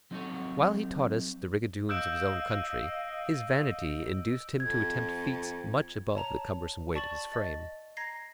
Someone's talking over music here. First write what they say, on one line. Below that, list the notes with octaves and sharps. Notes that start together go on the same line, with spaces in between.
While he taught us the rigadoons of his own country, his vanity induced him to attempt feats much above the cumbrous weight of his frame.
F#3 C4 D#4 F#4 A4 C#5
D#5 F5 D#6 E6 F#6 G6 D7 E7
F2 G#6
C#5 A5 A#5 F7
D5 A5 C#6 A6 F#7
D#5 A6
A#5 G#6 A#6 C7